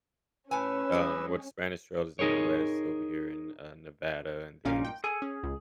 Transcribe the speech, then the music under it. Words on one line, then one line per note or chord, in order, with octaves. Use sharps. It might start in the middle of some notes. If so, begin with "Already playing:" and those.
Um, what Spanish Trail is in the West over here in, uh, Nevada and these
A2 C#4 B4 G#5 E6
G3 G#3 G#4
D#4 G#4 A#4 C#5
A#1 G2 A#2 C#4 D#4 F5
G5
G#4 A4 G#5
C#4 G#4
C#2